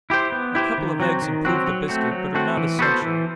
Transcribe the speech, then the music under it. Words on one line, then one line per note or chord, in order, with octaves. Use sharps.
A couple of eggs improve the biscuit, but are not essential.
E4 G4 C5
B3
E4 G4 C5
D#3
F#3 C4 F#4
D#3
F#3 C4 F#4
F#3
A3 C4 F#4
F#3
A3 C4 F#4
E3
B3 F#4 A4 C5
E3